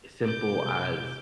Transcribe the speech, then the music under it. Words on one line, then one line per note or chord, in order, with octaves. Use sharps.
simple as
C3 D6 G6